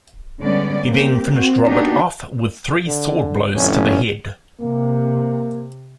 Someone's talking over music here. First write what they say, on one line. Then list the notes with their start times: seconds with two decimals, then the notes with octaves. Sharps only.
He then finished Robert off with three sword blows to the head.
0.40 D3 G3 G#3 B3 C#4 D5
0.85 A#3 C4 G4
1.33 C4 F#4
1.67 A#3 B3 D4 D#4 F#4 G4
2.86 D3
3.55 G1 F2 A2 C#4
4.61 C3 A#3